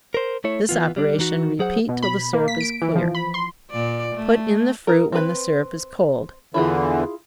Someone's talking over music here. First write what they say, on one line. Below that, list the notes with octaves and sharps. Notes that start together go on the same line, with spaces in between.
This operation repeat till the syrup is clear--put in the fruit when the syrup is cold.
A#4 C5
A3 E4 C#5
E3 B3 F4
G3 D4
E3 D#4 F#4
F#3 G#4 C5 F#5
B2
B5
A#3
B6
D7
E3
F3
B5
C6
A#2 D5
A3
D#4 A#4
C4 B4
E2 D3 E3 E4 F4 G#4